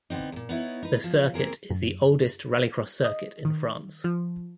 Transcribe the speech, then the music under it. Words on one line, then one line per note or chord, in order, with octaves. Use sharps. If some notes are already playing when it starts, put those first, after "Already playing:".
The circuit is the oldest Rallycross circuit in France.
D3 B3 C4 D#4
E2 A#2
B3 D#4 E4 C#5
D#4 B4
F3
A#3 C4 G#4 A#4
F#2
D#5
D#3
F3